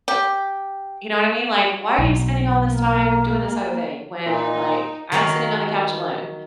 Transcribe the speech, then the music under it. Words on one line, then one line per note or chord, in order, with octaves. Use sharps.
you know what I mean, like, "Why are you spending all this time doing this other thing when, like, I'm sitting on the couch alone?"
G4
B1
A#3
A#2 D#4
D#3 F#3 A#4 C#5 F5